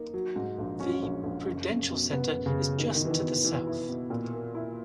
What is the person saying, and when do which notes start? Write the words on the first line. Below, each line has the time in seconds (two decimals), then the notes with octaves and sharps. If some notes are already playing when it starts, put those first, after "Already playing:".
The Prudential Center is just to the south.
Already playing: A#3 D#4
0.14 F#3
0.36 G#2
0.59 A#1
0.80 F#3 C#4
1.03 A#1
1.24 A#1
1.46 F#1
1.68 F#1
1.90 B2
2.12 B2 B3
2.34 F#1
2.46 C#3
2.56 B2
2.78 B2 D#3
2.95 D#3
3.01 E3 E4
3.11 D#3
3.23 B2
3.44 B2 E3
3.67 E4
3.89 B2
4.10 A#2
4.33 A#3
4.55 E4